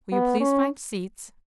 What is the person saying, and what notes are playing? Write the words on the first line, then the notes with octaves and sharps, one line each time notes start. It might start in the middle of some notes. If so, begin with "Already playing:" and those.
Will you please find seats?
B3
C#4